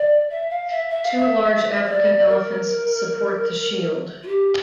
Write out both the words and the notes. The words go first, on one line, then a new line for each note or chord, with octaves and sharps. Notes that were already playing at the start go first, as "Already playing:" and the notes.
Two large African elephants support the shield.
Already playing: D5
E5
F5
E5
E5
F5
E5
C#5
D5
A#4
F4
G4